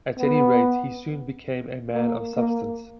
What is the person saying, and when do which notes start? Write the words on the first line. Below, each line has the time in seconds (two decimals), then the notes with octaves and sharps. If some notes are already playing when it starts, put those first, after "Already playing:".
At any rate, he soon became a man of substance.
0.19 B3
1.92 A#3
2.35 A#3